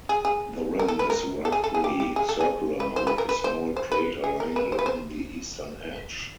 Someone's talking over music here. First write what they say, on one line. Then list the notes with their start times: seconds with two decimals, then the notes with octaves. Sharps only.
The rim is roughly circular, with a small crater lying along the eastern edge.
0.09 G#4
0.25 G#4
0.79 A#4
0.88 A4
0.99 B4
1.10 A#4
1.45 A4
1.52 G#4
1.64 A4
1.74 G#4
1.84 G4
2.00 G4
2.16 G#4
2.29 A4
2.41 G#4
2.80 B4
2.96 C5
3.07 B4
3.18 A#4
3.29 B4
3.44 C5
3.77 C5
3.92 B4
4.24 G#4
4.40 A#4
4.56 B4
4.72 C5
4.79 B4
4.86 C5